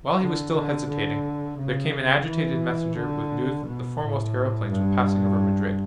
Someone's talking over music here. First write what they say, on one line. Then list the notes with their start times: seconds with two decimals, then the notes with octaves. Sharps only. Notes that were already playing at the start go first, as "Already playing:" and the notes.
While he was still hesitating there came an agitated messenger with news that the foremost aeroplanes were passing over Madrid.
0.21 D3
0.55 D3
0.89 D3
1.58 C#3
2.28 E3
2.96 D3
3.65 B2
4.01 A2
4.70 G2